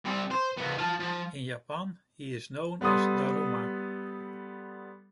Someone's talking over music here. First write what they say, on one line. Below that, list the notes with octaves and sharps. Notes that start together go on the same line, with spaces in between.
In Japan, he is known as Daruma.
G3 C4
C5
C#3 B3
F4 A5
F3
G3 B3 A4 C6 D#6